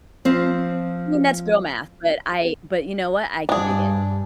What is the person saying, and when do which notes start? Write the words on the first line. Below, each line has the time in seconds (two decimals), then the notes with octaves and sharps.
I mean that's girl math, but I but you know what, I can dig it.
0.25 F3 C4
3.49 G2 D4 G#4